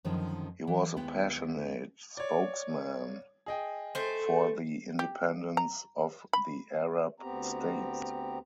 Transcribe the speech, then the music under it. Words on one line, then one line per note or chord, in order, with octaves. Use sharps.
He was a passionate spokesman for the independence of the Arab states.
F#2 D3 D#3 F3 G#3 C4
E3
D#2 G#3 B3 E4 G5
C#5 D5
G#4 D#5 G5
A3 C5
G4
A#5
B5
D2 B3 C4 G4 A#5